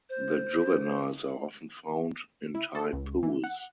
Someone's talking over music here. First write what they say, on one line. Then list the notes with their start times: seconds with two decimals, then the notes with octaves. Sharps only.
The juveniles are often found in tide pools.
0.09 C5
2.55 E4
2.75 A4
2.93 C#2
3.23 E3
3.44 F#5